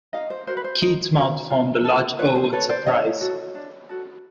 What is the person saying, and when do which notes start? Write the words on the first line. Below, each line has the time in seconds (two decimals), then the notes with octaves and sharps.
Keith's mouth formed a large O in surprise.
0.13 D#4 D#5 F5
0.30 C5
0.47 F#4 A#4 C5
0.57 B4
0.64 C5
0.82 D#4
1.16 F#4 A#4
1.50 F4
1.84 A4
2.18 F4 B4 C#5
2.35 C5
2.53 A4 B4 C#5
2.69 C5 D5
2.86 D4 C#5 D#5
3.21 F#4 A4
3.55 D4
3.89 F#4 A4